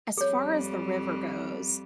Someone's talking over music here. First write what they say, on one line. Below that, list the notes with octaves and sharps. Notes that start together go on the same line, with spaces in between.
As far as the river goes,
F2 G3 G#4 C#5